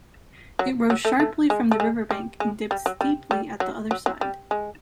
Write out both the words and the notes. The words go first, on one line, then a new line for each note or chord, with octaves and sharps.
It rose sharply from the riverbank and dipped steeply at the other side.
F#3
F#3
A3
A3
G#3
A3
G#3
G3
G#3
G3
F#3
G3
G3
F#3
F#3
F#3
G3
G#3